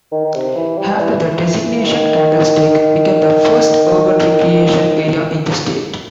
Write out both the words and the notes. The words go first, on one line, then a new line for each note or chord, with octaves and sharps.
After the designation Candlestick became the first urban recreation area in the state.
D#3
D#3
C3
E3
G3
E3
D#3